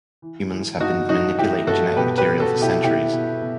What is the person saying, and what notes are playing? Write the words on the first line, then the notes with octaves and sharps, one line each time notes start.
Humans have been manipulating genetic material for centuries.
E3
E3
G2 D#4 F#4
E3 D#4 F#4
E3 E4 G4
G2 F#4 A4
B2 G4 B4
G4 B4
B2
F#4 A4
B2
E4 G4
B2 E4 G4
B2
B2